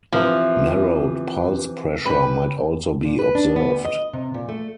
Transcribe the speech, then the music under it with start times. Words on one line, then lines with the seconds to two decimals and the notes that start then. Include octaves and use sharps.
Narrowed pulse pressure might also be observed.
0.12 C3 E3 F3
2.05 C#4 G4 B4
3.05 A#2
3.19 B4
3.35 D4
3.56 B3
3.70 D2
3.85 D#5
4.13 C3
4.34 A#2
4.49 A3